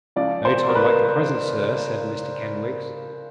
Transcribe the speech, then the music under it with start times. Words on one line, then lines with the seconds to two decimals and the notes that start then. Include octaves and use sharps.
'No time like the present, sir,' said Mr Kenwigs.
0.16 C#2 C#3 F3 D5
0.45 C5
0.69 A#4
0.75 B4
1.04 B4